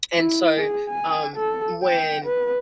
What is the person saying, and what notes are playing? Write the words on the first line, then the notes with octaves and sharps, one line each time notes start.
And so, um, when
E4
G#4
G#5
A4
G5
B4